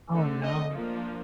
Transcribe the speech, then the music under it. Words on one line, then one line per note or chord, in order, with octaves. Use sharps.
Oh, no.
D3 A3 C4 A4
D#5
F3 A#3 D4